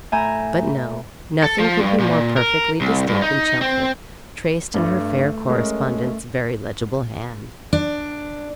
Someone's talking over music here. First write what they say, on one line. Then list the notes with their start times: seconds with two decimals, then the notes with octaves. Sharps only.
But no. Nothing could be more perfectly distinct than 'Chelford,' traced in her fair correspondent's very legible hand.
0.12 A2 E5 G#5 A#5 G6
1.43 A4
1.59 F3
1.80 G2
1.99 A#2
2.37 A#4
2.81 C2
3.08 G2
3.22 D#4
3.61 C4
4.74 G2 A3
5.49 G#3 C#4 A#4
7.73 D4